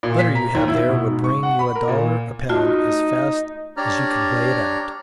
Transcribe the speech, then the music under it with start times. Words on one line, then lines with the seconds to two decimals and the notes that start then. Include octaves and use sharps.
The butter you have there would bring you a dollar a pound as fast as you could weigh it out.
0.03 A#2
0.19 B6
0.35 A#5
0.55 D#2
0.68 E4
0.89 B2
1.07 G#2
1.24 C#6
1.43 F#5
1.59 B5
1.75 A#4
1.88 A#2
2.49 A3 D#4 F4 F#4
3.77 D4 G4 C#5 D5 A#5 F6